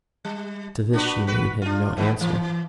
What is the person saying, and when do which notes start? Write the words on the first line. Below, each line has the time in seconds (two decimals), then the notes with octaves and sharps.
To this she made him no answer.
0.25 G3
0.93 D4 F#4 B4
1.27 F#4 B4
1.62 D4 F4
1.97 B2 D#3 B3
2.21 E3